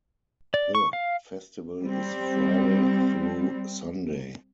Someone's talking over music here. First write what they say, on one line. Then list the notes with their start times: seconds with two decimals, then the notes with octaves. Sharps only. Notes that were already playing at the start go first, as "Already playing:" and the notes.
The festival is Friday through Sunday.
0.54 D5
0.75 C#6
0.93 F5
1.82 G3 C4